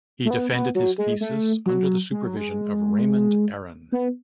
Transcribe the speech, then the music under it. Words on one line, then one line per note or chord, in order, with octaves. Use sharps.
He defended his thesis under the supervision of Raymond Aron.
A3
B3
B3
F#3
G#3
A3
F#3
G#3
F#3
G#3
B3